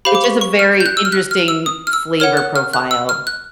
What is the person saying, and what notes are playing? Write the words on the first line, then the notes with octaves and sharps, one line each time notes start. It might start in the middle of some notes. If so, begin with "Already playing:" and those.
it's just a very interesting flavor profile,
G4 C5 F5 B5
D6
C#6
C#6
F6
G6
F#6
E6
F6
F#6
F6
E6
D#6
F6
E6
A#4 C#5 F#5 F6
F#6
F6
F#6
E6
F6
F#6